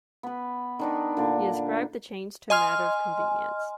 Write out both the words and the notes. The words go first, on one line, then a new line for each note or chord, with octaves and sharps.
He ascribed the change to a matter of convenience.
B3 B4
D#3 D4 D#4
A#2 D3 A#3 D4
D#5 G#5 C6 F6